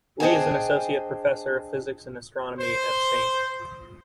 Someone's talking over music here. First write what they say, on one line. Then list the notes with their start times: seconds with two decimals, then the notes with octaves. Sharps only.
Lee is an Associate Professor of Physics and Astronomy at St.
0.20 D4 G#4 C5 D#5 G5 G#5
2.59 C5